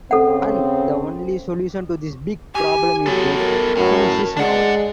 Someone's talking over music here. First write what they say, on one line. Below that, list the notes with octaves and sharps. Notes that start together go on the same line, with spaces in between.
And the only solution to this big problem is to finish his novel.
C#3 C4 A4 F#5
G4 G#5
F#3 B3 A4
A#4
F#2 A2
G#3 D4 D5 F#5